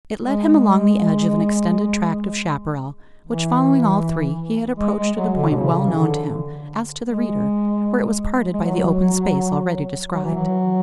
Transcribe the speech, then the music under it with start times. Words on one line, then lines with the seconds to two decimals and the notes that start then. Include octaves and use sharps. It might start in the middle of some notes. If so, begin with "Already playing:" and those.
It led him along the edge of an extended tract of chapparal; which, following all three, he had approached at a point well known to him, as to the reader,--where it was parted by the open space already described.
0.21 G#3
3.27 E3
4.79 G#3
4.98 G#3
5.17 F#3
5.36 D3
5.51 B2
5.56 C#3
5.87 E3
5.94 D3
7.08 G#3
8.54 G#3
8.61 F#3
10.14 F#3
10.24 E3
10.35 F#3